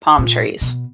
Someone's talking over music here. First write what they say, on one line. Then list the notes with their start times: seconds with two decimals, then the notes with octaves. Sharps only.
palm trees.
0.18 A#2
0.61 B2